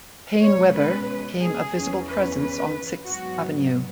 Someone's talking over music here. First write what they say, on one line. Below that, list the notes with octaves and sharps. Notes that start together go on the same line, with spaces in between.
PaineWebber became a visible presence on Sixth Avenue.
B2 G#3 C#4 C#5
B4
G#4
E2 E3 C#4
B4
B4
G#2 F#3 B3 F#4